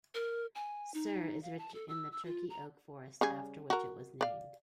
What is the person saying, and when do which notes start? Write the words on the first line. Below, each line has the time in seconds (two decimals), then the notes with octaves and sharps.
Cer is rich in the Turkey oak forests after which it was named.
0.14 A#4
0.55 G#5
0.94 D#4
1.43 F5
1.58 A5
1.74 A4
1.89 E6
2.12 E6
2.25 F4
2.50 A#5
3.21 C#3 G3 G#4
3.70 F#4 A#4
4.21 D5 F5